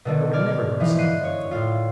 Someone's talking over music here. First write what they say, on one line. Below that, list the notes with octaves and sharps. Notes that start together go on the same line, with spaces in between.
I would never go to sea again, I thought.
B2 D3 D#3
D5 F6 G#6
E3 F3 D#4
F#6 C7 D#7
C#5
A2 F4